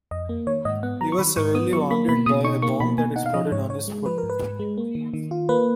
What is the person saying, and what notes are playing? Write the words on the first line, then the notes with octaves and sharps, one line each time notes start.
He was severely wounded by a bomb that exploded on his foot.
F2 D#5
A#3
D#3 C#5
G#2 D#5
B3 F#5
F#3 A#5
C#6
D#3 B5
G#2 C#6
B3 D#6
F#3 C#6
A#3 B5
B2 B5
B2 D#6
D#4 C#6
A#3 C#6
B2 B5
B2 G#5
D#4 F#5
F5
F3 D#5
G#2 C#5
G#2 C#5
G#3
F3 B4
A#4
G#2
B4
G#2
G#3
A#3
D#3
D#3
F4
A#3 B4